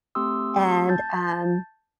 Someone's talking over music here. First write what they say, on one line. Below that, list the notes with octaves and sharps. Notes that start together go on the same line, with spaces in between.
and, um,
A3 C4 G4 C6 D#6 E6
A5 G6 A6